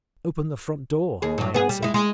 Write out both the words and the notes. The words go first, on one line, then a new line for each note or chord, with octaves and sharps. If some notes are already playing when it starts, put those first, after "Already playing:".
"Open the front door," I answered.
D#2 G#4
G2 F#3
B3 G#4
G3
G#3 E4
G#3